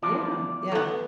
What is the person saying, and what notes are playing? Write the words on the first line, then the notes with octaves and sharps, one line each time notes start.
Yeah. Yeah.
E2 F3 D5
A3 B3